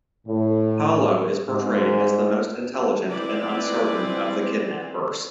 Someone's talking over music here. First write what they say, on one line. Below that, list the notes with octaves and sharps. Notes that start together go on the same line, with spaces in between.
Paulo is portrayed as the most intelligent and uncertain of the kidnappers.
A2
G#2
G#3 C4 E4 B4 C5 D5